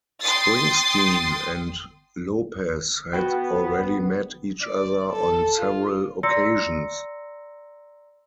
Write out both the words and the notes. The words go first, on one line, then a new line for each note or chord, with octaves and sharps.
Springsteen and Lopez had already met each other on several occasions.
G5 C6 D#6 A6 C7
B3 F#4 B4 G5
D5
A4
F4
D5 A#5 C6 E6 A#6 C#7